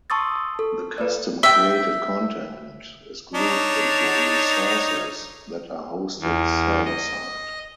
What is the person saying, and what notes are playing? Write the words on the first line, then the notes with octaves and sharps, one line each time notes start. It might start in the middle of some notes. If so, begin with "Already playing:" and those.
The custom created content is grouped into "resources" that are hosted server-side.
A5 C6 C#6 D#6 E6 A6
A4
B4 D5
E5 G5
D4 D#4 C#5
E2
D#5